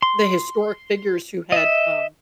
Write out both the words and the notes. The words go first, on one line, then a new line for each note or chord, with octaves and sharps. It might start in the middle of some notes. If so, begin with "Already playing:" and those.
the historic figures who had, um,
C6
D#5 E5